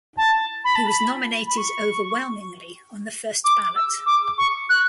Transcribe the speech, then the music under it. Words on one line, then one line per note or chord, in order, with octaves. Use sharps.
He was nominated overwhelmingly on the first ballot.
A5
B5
A5
B5
B5
C#6
D6
E6
D6
C#6
F#6